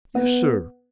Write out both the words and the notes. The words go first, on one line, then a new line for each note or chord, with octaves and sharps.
"Yes, sir."
B3